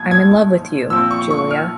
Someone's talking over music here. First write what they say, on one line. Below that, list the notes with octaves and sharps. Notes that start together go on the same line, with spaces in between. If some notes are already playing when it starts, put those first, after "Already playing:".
I’m in love with you, Julia.
Already playing: A#2 F3 G#6
G#6
A#2 F3 C4 E6
C#6
C#6
F6